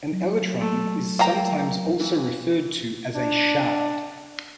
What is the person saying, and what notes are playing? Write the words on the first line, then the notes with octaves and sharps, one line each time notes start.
An elytron is sometimes also referred to as a shard.
F#3
A3
A#3 G5 A#5
E3
D4